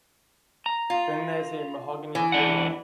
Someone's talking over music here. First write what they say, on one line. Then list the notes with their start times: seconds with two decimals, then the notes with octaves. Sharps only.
Then there's a mahogany table.
0.66 A#5
0.90 F4
2.15 E3
2.32 E2 D4 F#5